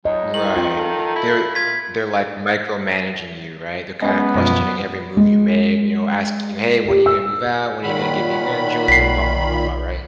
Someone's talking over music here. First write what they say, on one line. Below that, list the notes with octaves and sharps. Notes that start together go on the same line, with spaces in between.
Right. They're they're, like, micromanaging you, right? They're kinda questioning every move you make, you know, asking you, "Hey, when are you gonna move out? When are you gonna give me grandchildren?" Blah blah blah blah blah, right?
F2 F#3 D#5
C2 D#3 F#7
C4 F4
A4
E4
F4 G#6 B6
G#3 B3 C#4
F#2 B2 F3
G#3
G4
E6
A#2 D#3 F#3 B5
B1 B6 C7